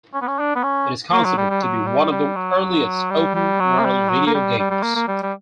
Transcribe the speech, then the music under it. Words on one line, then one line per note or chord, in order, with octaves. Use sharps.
It is considered to be one of the earliest open world video games.
C#4
B3
C#4
D4
B3
C#4
A#3
F#3
G3
G3
F#3
G3
G3
F#3
G3
G3
F#3
A#3
G3
F#3
A#3
G3
G3
G3
A#3
A#3
G3
G3